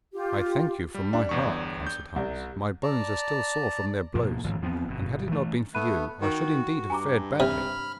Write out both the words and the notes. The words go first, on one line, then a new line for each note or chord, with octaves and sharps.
'I thank you from my heart,' answered Hans. 'My bones are still sore from their blows, and had it not been for you I should indeed have fared badly.'
F4 G4
G3
D4
G1 E2 C#6
G6
C2
D5 A5 A#5
G#2 B2 F3 A#3
A1 G#2 D#3 F3
E2 F3 B3 C4
G1 B2
E3 A3
A3 B3 B5 F#6 D#7
D#3 F#4
G2 G#5 A#5 D6
C3 B5 F6